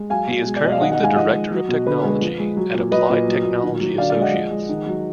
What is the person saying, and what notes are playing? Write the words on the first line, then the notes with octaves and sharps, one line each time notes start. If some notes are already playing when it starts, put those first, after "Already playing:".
He is currently the director of technology at Applied Technology Associates.
Already playing: G#3
F#3 F5 G#5
B2
G#3
D5
B2 D#5
F5
D#3 D#5 F#5
D#5 F#5
G#3 F5 G#5
F3 D#5 F#5
G#3
F#3
B2
D3 B4
G#3
F3
G#3
F#3
A#2
F#3 B4 D#5
A#2
F#3
A#2
D#3
F#3
D3 D5 F5
D5 F5
G#3
D#5 F#5
F3
G#3
D#3
F#3